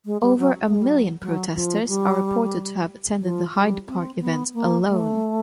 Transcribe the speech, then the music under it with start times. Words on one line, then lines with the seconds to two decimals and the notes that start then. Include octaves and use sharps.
Over a million protesters are reported to have attended the Hyde Park event alone.
0.06 G#3
0.22 G3
0.38 F#3
0.67 A3
0.75 G#3
0.82 G3
0.88 F#3
1.22 F#3
1.55 F3
1.88 G3
3.21 F3
3.55 G3
3.88 C4
4.21 B3
4.54 A#3
4.88 A3